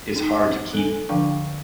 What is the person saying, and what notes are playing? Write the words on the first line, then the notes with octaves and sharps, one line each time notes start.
it's hard to keep
D#4
A4 G#5
D3 F3 D4 F5 G5 C#6